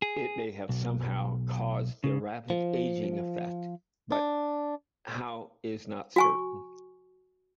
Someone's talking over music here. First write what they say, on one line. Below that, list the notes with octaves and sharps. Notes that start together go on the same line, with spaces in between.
It may have somehow caused the rapid aging effect, but how is not certain.
G#4
B1
C#3
F3
D4
F#4 G#5 C#6